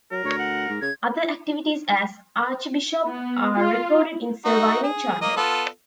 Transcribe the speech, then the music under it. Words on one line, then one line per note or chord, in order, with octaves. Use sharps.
Other activities as archbishop are recorded in surviving charters.
F#3 A#4
D2 C#5
F#5
G#2
C#3 G#6
B3
F4
D#4 F#4
G#4
A#3 D#5
B3 F4 A4